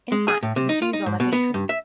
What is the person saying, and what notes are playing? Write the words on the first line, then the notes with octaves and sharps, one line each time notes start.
In fact, the Jews are their patrons.
G#3
G#4
A2
C3
D#4
F4
D#4
G#2
B2
B3
G2
E5